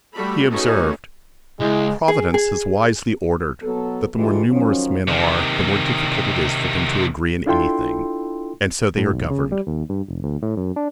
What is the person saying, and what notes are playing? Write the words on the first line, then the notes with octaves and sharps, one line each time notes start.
He observed, 'Providence has wisely ordered that the more numerous men are, the more difficult it is for them to agree in any thing, and so they are governed.
G3 A3 F#4 A4 B5
A3 B3 C#4 D#4 F#4 G#4
C#2 G#3 E4
G#4
G#4
B2 F#3 B3 A4
D3 E3 G#3 A3 F4 G4
D#3 F3 F#3 C#4
C3 D#3
D4 E4 F4 A4 G5 C6
A2
B1
C#3
G3
D#2
G2
F1
D2
A2
F#2
D4